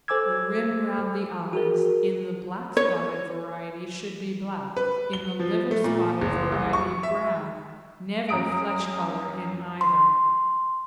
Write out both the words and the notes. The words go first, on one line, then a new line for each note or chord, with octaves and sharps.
THE RIM ROUND THE EYES in the black-spotted variety should be black, in the liver-spotted variety brown--never flesh-colour in either.
A4 C5 G#5 D6 E6 G#6
F#4 G#4 A#4
C#5
B4
G7
F3
A3
A#2
F#1
C2
C#6
E5
F#2 A#5 D#6 D7
C6